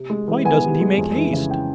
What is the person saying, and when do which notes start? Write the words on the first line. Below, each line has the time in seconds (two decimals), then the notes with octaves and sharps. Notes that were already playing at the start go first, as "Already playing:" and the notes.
'Why doesn't he make haste!'
Already playing: C3
0.10 G#3
0.28 E3
0.45 B3 G#5
0.63 C3
0.80 G#3
0.97 F2
1.16 E3
1.33 C#3
1.51 G5